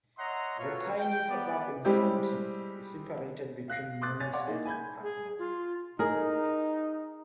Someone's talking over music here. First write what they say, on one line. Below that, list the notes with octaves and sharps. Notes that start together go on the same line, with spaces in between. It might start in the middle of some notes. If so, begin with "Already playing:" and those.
The tiny suburb in Sandton is separated between Morningside and Parkmore.
C#5 D#5 E5 F#5 A#5 C6
A3 F4 F#4 B4 C#5 F5
G5
B3 D5
G3 G#3 C4 E4 G4
F5 F#6 A#6 C7
C6 D6 D#6 F#6 A6
C#5 G#5 A6
C#5 D5 F5 F#5 C6 D6
A#3 D#4 E4 G#4
G#5 B5 G6 G#6
G#4
F4
D#4 G#4 A#4